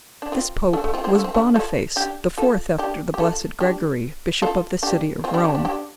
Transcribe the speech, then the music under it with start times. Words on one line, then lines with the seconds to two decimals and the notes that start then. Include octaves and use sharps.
This pope was Boniface, the fourth after the blessed Gregory, bishop of the city of Rome.
0.22 D4
0.32 C4 F4
0.73 A3 D4
0.84 A3
0.93 C4 F4
1.04 C4 F4
1.15 A3 D4
1.24 C4
1.34 A3 D4
1.56 F4 A4
1.96 D4 G4
2.38 F4 A4
2.78 D4 G4
3.14 G4
3.19 F4 A4
3.60 D4 G4
4.42 F4 A4
4.83 D4 G4
5.24 C4 F4
5.34 D4 G4
5.44 D4 G4
5.55 D4 G4
5.65 D4 G4